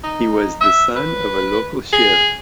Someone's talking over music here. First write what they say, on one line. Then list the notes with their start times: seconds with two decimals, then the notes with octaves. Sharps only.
He was the son of a local sheriff.
0.03 D#4
0.61 E5
0.96 B4
1.92 G#4